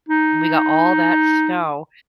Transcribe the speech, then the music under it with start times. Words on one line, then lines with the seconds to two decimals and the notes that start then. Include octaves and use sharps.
We got all that snow
0.09 D#4